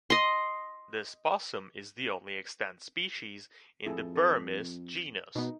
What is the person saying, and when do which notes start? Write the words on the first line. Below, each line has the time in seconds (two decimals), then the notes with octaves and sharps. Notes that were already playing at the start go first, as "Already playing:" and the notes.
This possum is the only extant species in the "Burramys" genus.
0.10 D#5 C6
3.86 F2 E4 G#4 A4
4.16 A4
5.35 B2 B3 D#4